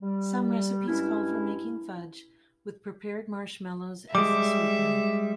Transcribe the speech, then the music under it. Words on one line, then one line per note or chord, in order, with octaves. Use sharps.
Some recipes call for making fudge with prepared marshmallows as the sweetener.
G3
G2 G#3 C#4 E4
G3 G#3 E5 D6